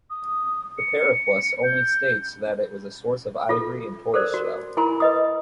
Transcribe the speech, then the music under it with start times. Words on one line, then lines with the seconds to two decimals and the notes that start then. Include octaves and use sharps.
The "Periplus" only states that it was a source of ivory and tortoise shell.
0.10 D#6
0.78 C#7
1.63 G6
3.49 F4 A4
4.14 A4 A#4 C5 D5
4.34 F#4
4.77 E4 A#4 G#5 B5 C6
5.00 B4 D#5 D#6